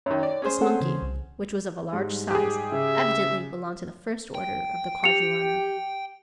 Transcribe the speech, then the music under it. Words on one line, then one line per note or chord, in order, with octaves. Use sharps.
This monkey, which was of a large size, evidently belonged to the first order of the quadrumana.
F#2 D#3 C#5
D5
C#4 G#4 C5
C4 A4 F#5
C#3 E3
C2
G#2 G3
G4 G#4
C#3 E5
G5
G4 C#7 F7